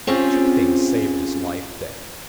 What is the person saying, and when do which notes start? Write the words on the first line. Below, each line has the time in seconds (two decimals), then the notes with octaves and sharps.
Two things saved his life then.
0.07 C4 C#4 F4 G4 G#4 G5